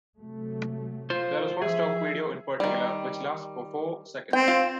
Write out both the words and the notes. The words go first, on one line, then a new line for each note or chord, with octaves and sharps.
There is one stock video in particular which lasts for four seconds.
C3 F#3 A3
F4 C5
F3 G#4 E5
D#3 G3
C4 G5
F4